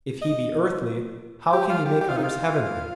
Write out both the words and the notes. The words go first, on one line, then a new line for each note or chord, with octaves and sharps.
If He be earthly, how can He make others heavenly?
D#5
G4
F4
G4
G4
F4
D#4
F4